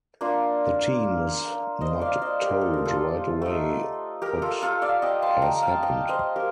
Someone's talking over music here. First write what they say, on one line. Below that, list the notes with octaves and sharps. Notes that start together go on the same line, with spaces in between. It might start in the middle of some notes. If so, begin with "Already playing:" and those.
The team is not told right away what has happened.
A#3 D4 F4
C5 D#5
D5 F5
C5 D#5
G4 A#4
A4
A#4
F4 A4
A3 D#4
G4 A#4
F4 A4
F4 A4
D5 F5
D#5 G5
A5 C6
G5 A#5
F5 A5
D#5 G5
C5 D#5
G4 A#4